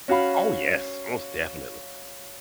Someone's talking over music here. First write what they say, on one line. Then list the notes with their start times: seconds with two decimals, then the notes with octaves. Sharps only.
Oh yes, most definitely.
0.08 C#4 F#4 F5 B5